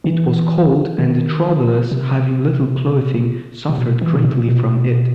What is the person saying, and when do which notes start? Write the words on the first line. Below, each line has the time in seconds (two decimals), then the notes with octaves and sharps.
It was cold and the travelers, having little clothing, suffered greatly from it.
0.04 E3
0.98 D#3
1.91 C3
3.69 C3
3.78 B2
4.01 E3
4.15 B2
4.24 C3
4.48 B2